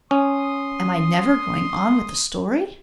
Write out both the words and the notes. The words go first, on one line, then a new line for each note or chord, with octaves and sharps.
Am I never going on with the story?
C#4 C6 D#6